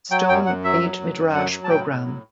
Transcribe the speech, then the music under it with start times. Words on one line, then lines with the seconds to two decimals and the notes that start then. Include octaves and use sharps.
Stone Beit Midrash Program.
0.11 F#3 G5
0.29 F#2 G5
0.46 F#2 F#5
0.64 F#3 E5
0.81 F#3
0.99 F#2
1.16 F#2
1.34 F#3 F#5
1.51 F#3
1.64 A5
1.69 A2 G5
1.87 A2
2.05 F#3